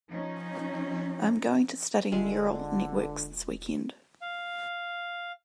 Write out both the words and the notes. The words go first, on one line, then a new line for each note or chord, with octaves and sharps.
I'm going to study Neural Networks this weekend.
F3 C#4 D#4
E1 D3 G#3 F4 E5
F5